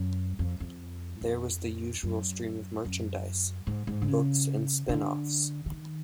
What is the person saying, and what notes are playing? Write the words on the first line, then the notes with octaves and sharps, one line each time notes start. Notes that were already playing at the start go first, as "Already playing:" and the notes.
There was the usual stream of merchandise, books and spin-offs.
Already playing: F#2
F2
F2
F2
F#2
F#2
G#2
G#2
D3
C#3
D3
D3
D#3